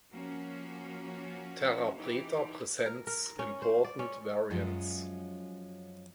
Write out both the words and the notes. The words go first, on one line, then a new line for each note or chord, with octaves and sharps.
Terra preta presents important variants.
F3 A#3 C#4 F#4
E3 D#4 G4
A#4
A#4
C#4
C5
D5
C#4
F#2 F3 F#3 G#3 C#4 F4